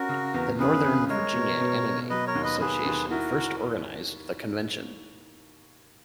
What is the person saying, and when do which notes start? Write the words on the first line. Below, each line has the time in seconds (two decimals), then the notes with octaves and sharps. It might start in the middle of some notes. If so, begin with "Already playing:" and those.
The Northern Virginia Anime Association first organized the convention.
Already playing: C#4 F#4 A#4
0.09 C#3
0.34 E2
0.59 C#3 G#4 B4
0.84 C#3
1.09 G#3 A#4 C#5
1.35 B2
1.60 B2
1.85 B2
2.10 F#3 B4 D#5
2.27 A#4 C#5
2.35 D#2
2.43 B4 D#5
2.60 D#2 G#4 B4
2.85 D#2
3.10 E4 F#4 A#4